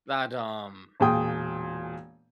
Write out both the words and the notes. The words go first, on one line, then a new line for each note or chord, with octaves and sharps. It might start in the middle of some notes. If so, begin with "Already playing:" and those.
but, um,
E1 A#2 G#4 G5 D#6